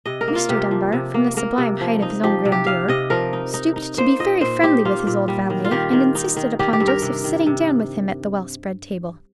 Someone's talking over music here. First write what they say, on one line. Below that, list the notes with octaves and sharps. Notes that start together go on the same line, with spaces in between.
Mr. Dunbar, from the sublime height of his own grandeur, stooped to be very friendly with his old valet, and insisted upon Joseph's sitting down with him at the well-spread table.
C3 D#5
A#4
A#3
F4
C3 G4
F3
C3
A#3
A#3 A#4
C3
F3
D#4
F3 G4
C3
G4
C3 F5
C3 D#5
F3 A#4
D#4
D#4
D#4
A#3 C5
A#2 D#5
A#2 C5
D#4 G4
A#3 F4
A#2
G3
D#3
F4
D#3 G4
D#3
D#4
D#3
D#3 G4
G4
G2
A#4
C3
D#3
C3